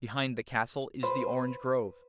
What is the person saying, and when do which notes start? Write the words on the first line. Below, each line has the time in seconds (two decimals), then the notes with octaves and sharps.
Behind the castle is the orange grove.
1.03 B4 C5